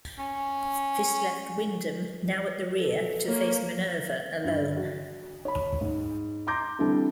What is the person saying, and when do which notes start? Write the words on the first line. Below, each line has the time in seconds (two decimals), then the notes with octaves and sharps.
This left "Windham", now at the rear, to face "Minerve" alone.
0.19 C#4
2.78 A4
3.27 A#3 C#5
4.44 G2
4.77 F#4
5.45 C#5 B5
5.81 G#2
6.47 A#5 C6 D6 G6 A#6
6.79 D3 E3 G3 C4 D4 A4